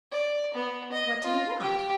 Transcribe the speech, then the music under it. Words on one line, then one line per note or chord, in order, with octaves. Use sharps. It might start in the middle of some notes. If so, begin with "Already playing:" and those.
"What do you want?"
D5
B3
D#5
F4
G4